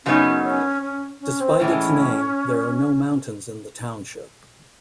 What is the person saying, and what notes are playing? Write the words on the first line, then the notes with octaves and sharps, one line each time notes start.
Despite its name, there are no mountains in the township.
F#2 C#3 F#3 B3 C#4 D#4
C#4
C#4
C#4
C4
A2 E3 G#3 C#4